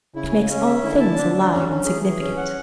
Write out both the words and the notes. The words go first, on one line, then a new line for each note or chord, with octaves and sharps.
It makes all things alive and significant.
C#3 E4
G#5
C#4
E5
D3 E4
A5
D4
D4
D3 C#4
C#4
E3 G#4
G#4
C#4
F#5